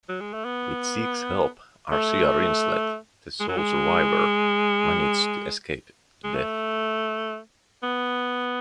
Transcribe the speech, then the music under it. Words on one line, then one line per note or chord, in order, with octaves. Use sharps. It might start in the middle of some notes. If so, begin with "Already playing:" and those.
With Sieg's help, Arcia Rinslet, the sole survivor, manages to escape death.
F#3
G#3
A3
B3
A3
G#3
F#3
G#3
G#3
A3
B3